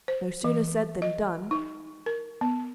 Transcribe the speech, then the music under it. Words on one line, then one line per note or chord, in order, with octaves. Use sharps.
No sooner said than done.
C5
E3
D#5
D#4
A#4
B3